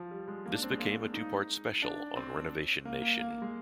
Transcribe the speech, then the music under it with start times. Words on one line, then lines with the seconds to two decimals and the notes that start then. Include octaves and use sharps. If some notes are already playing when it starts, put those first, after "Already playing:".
This became a two-part special on "Renovation Nation".
Already playing: F3
0.11 G3
0.28 G#3
0.46 A#3
0.54 D4
0.62 C4
0.71 G#3
0.80 A#3
1.14 D#4
1.82 D4
2.16 C4
2.85 A#3
3.02 A#3
3.19 A#3
3.30 A#3
3.42 G#3